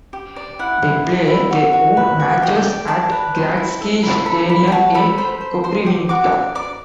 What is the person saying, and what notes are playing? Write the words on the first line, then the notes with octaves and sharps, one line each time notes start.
They play their home matches at Gradski stadion in Koprivnica.
G4
D5
E4 F#5
E4
D5
E4
F#4
F#4
B4
F#4
G4 G5
D5
D5 A5
B4
C5
E4
A4
E4
A4 B5
D5 B5
G5
F#4 A5
A4 B5
C5 B5
C5
C5 C6
G4
F#4 D6
D5
D5 D6